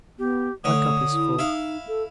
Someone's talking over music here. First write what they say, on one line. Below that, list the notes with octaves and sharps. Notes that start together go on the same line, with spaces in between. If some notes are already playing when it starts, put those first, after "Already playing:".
My cup is full.
B3 G4
D3 A3 C#5 D#6
E4
D#4 E4 F5
A4